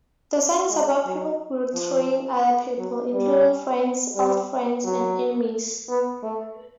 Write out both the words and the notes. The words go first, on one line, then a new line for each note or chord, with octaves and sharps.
The song is about people betraying other people, including friends, old friends, and enemies.
G#3
F#3
F3
F#3
G3
G3
F#3
B3
A3